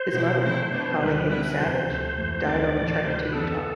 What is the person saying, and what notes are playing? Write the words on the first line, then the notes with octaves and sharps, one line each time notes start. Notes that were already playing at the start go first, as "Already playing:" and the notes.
His mother, Polly Haynes Savage, died on the trek to Utah.
Already playing: C5
B2 B3 E4
C3 F3 A3 E4 C5
B2 B3 D4
D2 D3 G3 B4
B2 G3 C4 E4
E2 C3 F3 C5
D2 C3 F3 A3
F2 E3 A3
D2 D3 G3 C4 D5
A2 E3 A3
D2 C3 E3 G3 C5
B4
F2 E3 B3 D4 A4